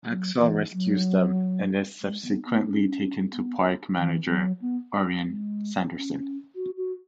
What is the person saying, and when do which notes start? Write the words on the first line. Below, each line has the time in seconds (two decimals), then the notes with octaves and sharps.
Axel rescues them and is subsequently taken to park manager Orrin Sanderson.
0.08 F#3
0.39 E3
0.73 F#3
2.02 G#3
2.23 B3
2.46 B3
2.67 C#4
3.32 B3
3.97 E3
4.30 F#3
4.62 B3
5.26 G#3
5.92 C#4
6.56 F#4
6.77 F#4